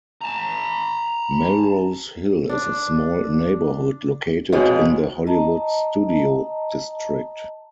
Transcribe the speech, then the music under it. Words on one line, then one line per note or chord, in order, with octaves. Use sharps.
Melrose Hill is a small neighborhood located in the Hollywood Studio District.
A5 A#5
D4
F2 B2 F#3 G#3
D#5 A5 A#5